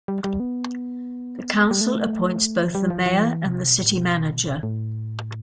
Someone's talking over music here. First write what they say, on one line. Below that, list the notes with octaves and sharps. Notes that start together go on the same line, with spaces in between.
The council appoints both the mayor and the city manager.
G3
G3
B3
G3
A3
F3
G3
F3
F3
E3
C3
B2
A2
B2
A2